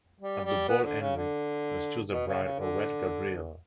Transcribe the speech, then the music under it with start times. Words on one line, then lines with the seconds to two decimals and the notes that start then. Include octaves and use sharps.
At The ball Henry must choose a bride or wed Gabriella.
0.21 G3
0.45 G3
0.68 B3
0.84 D3
1.01 C#3
1.17 D3
2.12 B2
2.28 C#3
2.44 C#3
2.59 D3